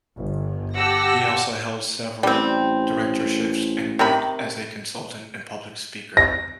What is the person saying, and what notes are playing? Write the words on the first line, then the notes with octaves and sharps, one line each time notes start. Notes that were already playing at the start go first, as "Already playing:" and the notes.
He also held several directorships, and worked as a consultant and public speaker.
G1
G4 F#5 A5 E6 A#6
A1 G3 C4
C3 D#3 B5
A#6